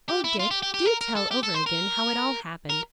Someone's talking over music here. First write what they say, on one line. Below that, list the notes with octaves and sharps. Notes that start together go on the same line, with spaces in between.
"Oh, Dick! do tell over again how it all happened."
G4
E4
F4
G4
G4
G4
A#4
A#4
A4
G4
A4
C5
A#4
A#4